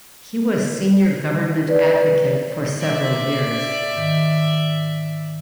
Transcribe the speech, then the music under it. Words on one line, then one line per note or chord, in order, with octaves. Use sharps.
He was Senior Government Advocate for several years.
B4 D5
D5 E5
G#2 D#3